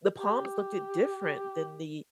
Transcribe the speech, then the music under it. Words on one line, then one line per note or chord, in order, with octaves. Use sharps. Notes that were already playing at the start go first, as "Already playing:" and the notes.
the palms looked it different than the
G4